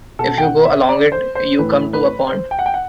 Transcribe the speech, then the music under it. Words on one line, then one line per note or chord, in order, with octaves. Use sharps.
If you go along it, you come to a pond.
B2 A4
G5
F#5
E5
D5
C5
C5
A2 E3 B4
B4
C5
G5
F#5
G5
F#5